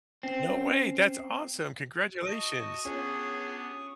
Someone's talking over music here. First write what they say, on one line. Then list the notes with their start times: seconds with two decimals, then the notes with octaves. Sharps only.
No way, that's awesome. Congratulations.
0.23 C4 C#4
2.26 F#4 D#5 A5 C#6 D#6
2.85 B3 C#4 D4 F4 G4 G#4 C#5